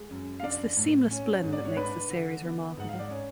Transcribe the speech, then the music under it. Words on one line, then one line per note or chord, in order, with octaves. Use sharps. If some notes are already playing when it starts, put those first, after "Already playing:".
It’s this seamless blend that makes the series remarkable.
Already playing: G#3
F#2
F5
D4 D5
A2
C#4
G#2
D5
C#5
D4 B4
D3
B3
G#2 F#5
F5
D5
C#4 C#5